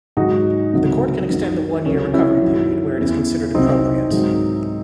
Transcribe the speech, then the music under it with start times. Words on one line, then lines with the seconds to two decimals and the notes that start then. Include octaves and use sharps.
The court can extend the one-year recovery period where it is considered appropriate.
0.17 G#2 D#3 F#3 D#4 F#4
0.73 C#2 C3 D#3 F#3
1.29 F#2 D#3 F#3
1.85 C#2 C3 F#3 C#4
2.13 C#4 E4
2.42 F#2 D#3 F#3
2.98 E2 C#3 E3
3.54 C2 C3 F#3 C4 D#4
4.11 G#2 D#3 F#3